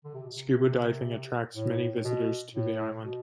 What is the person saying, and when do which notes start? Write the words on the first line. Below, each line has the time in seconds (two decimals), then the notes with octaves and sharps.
Scuba diving attracts many visitors to the island.
0.05 D3
0.15 C3
0.23 B2
0.33 C3
0.54 C3
1.54 A2
1.96 A2
2.04 B2
2.55 A2
3.04 B2